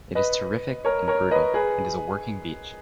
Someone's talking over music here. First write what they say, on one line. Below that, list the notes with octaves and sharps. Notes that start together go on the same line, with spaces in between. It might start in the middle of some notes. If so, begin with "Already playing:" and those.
It is terrific and brutal and is a working beach.
B4 D#5
A#4 C#5
A#4 C#5
B4 D#5
G#4 B4